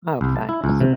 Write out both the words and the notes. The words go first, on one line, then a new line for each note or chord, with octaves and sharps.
Oh, thanks.
C2
A5
E4
C#2
C3